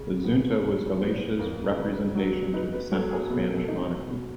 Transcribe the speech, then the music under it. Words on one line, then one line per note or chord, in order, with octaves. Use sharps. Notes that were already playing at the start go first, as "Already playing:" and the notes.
The Xunta was Galicia's representation to the central Spanish monarchy.
Already playing: C#3
B3
C#3
B3 C5
F2 A#4
C#3 B4
F#3
D#4 B4
B4
F#3 A4
G#4
B2 A4
A#4
A4
D#4
B2